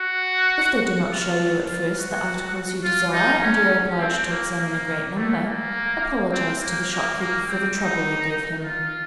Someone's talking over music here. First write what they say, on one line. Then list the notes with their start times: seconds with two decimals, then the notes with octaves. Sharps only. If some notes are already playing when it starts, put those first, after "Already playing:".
If they do not show you at first the articles you desire, and you are obliged to examine a great number, apologize to the shopkeeper for the trouble you give him.
Already playing: F#4
1.10 F4
1.68 F4
1.97 F#4
2.84 F4
3.12 D#4
3.42 C#4
3.99 C4
4.28 A#3
4.58 A#3
5.16 A3
5.45 A#3
6.32 C4
6.61 A#3
6.90 A#3
7.19 A#3
7.48 C4
7.77 D#4
8.64 F4